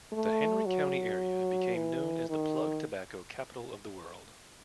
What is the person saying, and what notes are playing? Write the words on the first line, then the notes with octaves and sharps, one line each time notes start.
The Henry County area became known as the plug tobacco capital of the world.
A3
F#3
E3
D#3